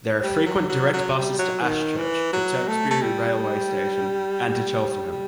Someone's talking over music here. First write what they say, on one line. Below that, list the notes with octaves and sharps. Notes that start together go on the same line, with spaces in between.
There are frequent direct buses to Ashchurch for Tewkesbury railway station and to Cheltenham.
G3
F#3
F#3
F#3
G3
F#3
D#3
E3
F#3
A3
A3
G3
G3